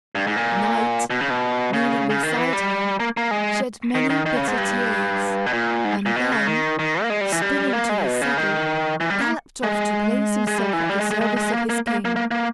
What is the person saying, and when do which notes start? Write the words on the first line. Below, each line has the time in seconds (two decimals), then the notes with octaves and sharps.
The knight, kneeling beside her, shed many bitter tears, and then, springing to his saddle, galloped off to place himself at the service of his king.
0.15 G2
0.27 G#2
0.36 A#2
1.10 B2
1.20 C#3
1.30 B2
1.73 C#3
2.10 C#3
2.23 D#3
2.37 E3
2.53 G3
3.00 A#3
3.17 A#3
3.31 G#3
3.95 D#3
4.10 D#3
4.26 D#3
4.36 C#3
4.48 G#2
4.58 G2
5.46 B2
5.53 A#2
5.85 G#2
6.06 A#2
6.16 B2
6.32 C#3
6.47 D#3
6.79 D#3
7.02 A#3
7.10 G#3
7.21 G3
7.32 E3
7.42 G3
7.73 A#3
7.89 G#3
8.05 B2
8.21 C#3
8.37 D#3
9.00 E3
9.10 G3
9.21 A#3
9.63 G#3
10.47 G#3
10.58 G3
10.73 E3
10.90 G3
11.00 G#3
11.11 G#3
11.21 G#3
11.37 G#3
11.53 A#3
11.69 A#3
11.87 A#3
12.05 A#3
12.16 A#3
12.31 A#3